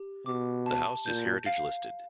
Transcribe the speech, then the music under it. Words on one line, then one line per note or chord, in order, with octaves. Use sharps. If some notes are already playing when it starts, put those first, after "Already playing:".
The house is heritage-listed.
Already playing: G4
B2 D6
A5
A#2 G6
F5